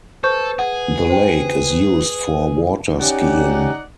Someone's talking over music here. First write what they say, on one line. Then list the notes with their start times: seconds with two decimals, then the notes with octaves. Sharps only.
The lake is used for water skiing.
0.24 A4 B4 C5 C#6 G6
0.59 G#4 F#5
1.10 C5 G5
3.00 C#4 D#4 G4 D5 F#5